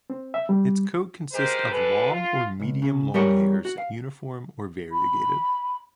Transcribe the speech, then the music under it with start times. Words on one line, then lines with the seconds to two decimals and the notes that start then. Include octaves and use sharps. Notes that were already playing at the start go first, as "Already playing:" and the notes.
Its coat consist of long or medium-long hairs, uniform or variegated.
0.10 C4
0.34 E5
0.49 G3
1.32 G#3 G4 A#4 C5
1.71 G3 G#3 A4 B4
2.11 F4
2.60 C#2
2.82 C#3
3.14 G3 G4 A#4 C#5
3.65 F#4
3.78 F5
4.91 B5